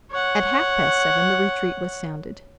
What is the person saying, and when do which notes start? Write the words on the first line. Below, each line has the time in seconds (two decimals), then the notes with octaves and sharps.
At half past seven the retreat was sounded.
0.12 C#5 F#5